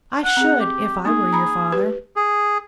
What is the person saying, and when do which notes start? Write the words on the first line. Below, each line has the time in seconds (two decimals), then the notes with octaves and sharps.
"I should, if I were your father."
0.24 F#5
0.37 C4 G#4
0.60 G4
1.05 A#3 D#4 G#4
1.33 A#5 B5
1.72 G4 B4
2.16 G#4